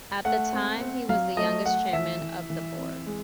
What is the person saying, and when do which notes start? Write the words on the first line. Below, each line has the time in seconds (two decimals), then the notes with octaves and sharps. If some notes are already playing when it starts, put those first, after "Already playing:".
At the time he was the youngest chairman of the Board.
0.25 A3 F#5
0.53 C4
0.81 C4
1.09 F#3 F5
1.37 A3 D#5
1.65 A3 F#5
1.93 E3 E5
2.21 E3
2.50 E3
2.78 C4
3.06 G#3